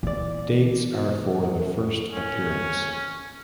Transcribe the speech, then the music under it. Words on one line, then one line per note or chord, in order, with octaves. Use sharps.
Dates are for the first appearance.
A#2 E3 D5
C#4